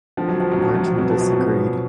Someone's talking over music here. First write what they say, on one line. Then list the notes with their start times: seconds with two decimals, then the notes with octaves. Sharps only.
Barton disagreed.
0.17 D3 F3
0.29 F#3
0.40 F3
0.51 F#3
0.58 D2 F3
0.75 F#3
0.86 F3
0.98 B2 F#3
1.10 F3
1.21 F#3
1.32 F3
1.39 B2